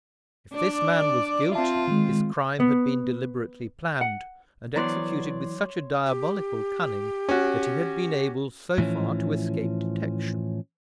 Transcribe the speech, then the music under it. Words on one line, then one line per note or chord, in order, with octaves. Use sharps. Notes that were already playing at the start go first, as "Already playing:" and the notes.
If this man was guilty, his crime had been deliberately planned, and executed with such a diabolical cunning, that he had been able so far to escape detection.
D4 D5
C4 F4 E5 A5
D#3 G#3
B3
F#5
E3 F#3 B3 C#5 D5 C6
G4
C#4 F#4
A2 E3 F3 C#4